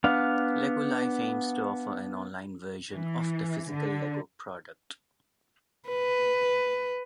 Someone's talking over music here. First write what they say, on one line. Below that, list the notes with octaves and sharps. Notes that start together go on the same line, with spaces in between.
Lego Life aims to offer an online version of the physical Lego product.
B3 D4 F5
E3
D3
B4